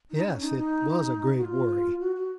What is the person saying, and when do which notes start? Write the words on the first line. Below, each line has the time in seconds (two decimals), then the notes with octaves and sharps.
Yes, it was a great worry.
0.11 D#4
0.26 C#4
0.43 D#4
0.58 D#4
1.38 F#4
1.42 F4
2.00 F#4
2.16 F#4